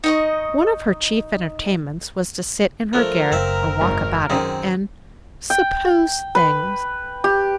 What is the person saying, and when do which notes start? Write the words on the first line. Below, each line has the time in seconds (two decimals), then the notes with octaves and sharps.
One of her chief entertainments was to sit in her garret, or walk about it, and "suppose" things.
0.04 D#4 D#5 C#6
2.93 F3 A3 D4 A#4
3.32 F#1 C4 E5 F5
3.81 G#1 D#4
4.30 F#2 D#3 C4 G#4 D#6
5.50 G5
6.35 B4
7.24 G4